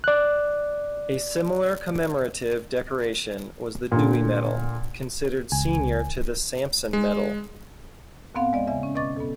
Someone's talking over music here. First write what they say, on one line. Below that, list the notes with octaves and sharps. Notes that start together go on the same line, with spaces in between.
A similar commemorative decoration was the Dewey Medal, considered senior to the Sampson Medal.
D5 F#6
A#2 D3
C#2 G#5
G#3
D#2 A2 B3 C4 F5 F#5
G#3 D5 D#5
E2 C#3 E5 G#5
C#4
B2 D#5 C#6 D6 A6
B3 A4